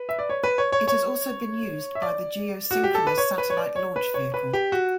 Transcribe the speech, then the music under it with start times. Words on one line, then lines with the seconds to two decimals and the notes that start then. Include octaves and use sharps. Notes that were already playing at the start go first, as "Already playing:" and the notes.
It has also been used by the Geosynchronous Satellite Launch Vehicle.
Already playing: B4
0.09 E5
0.19 D5
0.30 C#5
0.44 B4
0.58 C#5
0.72 C#5
0.88 C#5
1.95 E5
2.02 D5
2.71 F#4
2.84 G4
2.95 A4
3.07 B4
3.18 C#5
3.38 B4
3.50 C#5
3.57 D5
3.76 C#5
3.96 B4
4.14 C#5
4.34 B4
4.53 G4
4.72 F#4